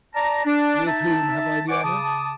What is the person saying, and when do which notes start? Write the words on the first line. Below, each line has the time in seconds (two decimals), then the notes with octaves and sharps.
"With whom have I the honour?"
0.15 D5 A5 A#5
0.45 D4
0.87 D#4 E5 A5
1.68 C5 D5 F#5 G#5 C#6 D6
1.84 C#3 A5 D6 D#6